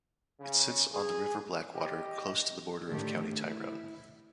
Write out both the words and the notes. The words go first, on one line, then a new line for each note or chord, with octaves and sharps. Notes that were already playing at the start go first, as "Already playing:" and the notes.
It sits on the River Blackwater, close to the border with County Tyrone.
C#3
G#4
G4 D#5
A2 D3 D#3 D4 G4
E4